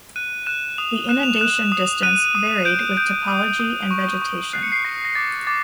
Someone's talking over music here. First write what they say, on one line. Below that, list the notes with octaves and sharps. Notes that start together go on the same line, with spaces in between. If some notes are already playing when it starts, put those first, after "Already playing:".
The inundation distance varied with topology and vegetation.
F#6 D#7
F#6 E7
D#6 F7
F#6 E7
F7
F#6 E7
D#6
F#6 D#7
D#6
G6 D7
G6
D#6
D#6
C#6
C#6
F#6 C7
C#7
C7
C#6 A#6
A#6
D6 A6
D6 A6